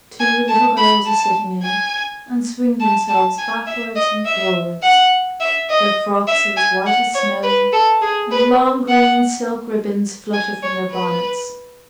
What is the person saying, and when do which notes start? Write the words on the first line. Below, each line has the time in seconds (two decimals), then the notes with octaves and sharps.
Two little girls are sitting in it, and swing themselves backwards and forwards; their frocks are as white as snow, and long green silk ribands flutter from their bonnets.
0.20 G#5
0.48 A5
0.77 B5
1.06 A5
1.63 G#5
2.80 A5
3.08 A5
3.38 G#5
3.66 E5
3.96 D#5
4.25 E5
4.83 F#5
5.40 E5
5.70 D#5
6.27 E5
6.56 G#5
6.86 F#5
7.14 C#5
7.43 B4
7.73 A4
8.01 G#4
8.31 B4
8.88 F#5
10.33 G#5
10.62 C#5
10.91 B4